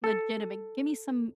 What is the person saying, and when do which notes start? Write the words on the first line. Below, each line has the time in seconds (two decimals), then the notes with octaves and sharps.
legitimate give me some
0.04 A4